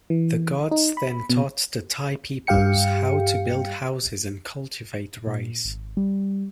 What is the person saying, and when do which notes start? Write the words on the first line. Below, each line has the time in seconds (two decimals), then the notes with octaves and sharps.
The gods then taught the Tai peoples how to build houses and cultivate rice.
0.10 E3
0.71 D#4
0.97 B5
1.30 B2
2.47 G2 G4 F5 G5 C#7
5.27 A#2
5.65 G#1
5.97 G3